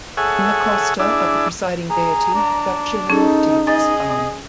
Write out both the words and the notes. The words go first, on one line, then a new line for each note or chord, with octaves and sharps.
In the kosta of the presiding deity Dakshinamurthy is found.
G#4 A4 C#5 E5 F#5 G#5
D4 E4 G#4 D5 E5
G#4 A#5
D4
C#4 D#4 G#4 A4
G#4 D#5 A6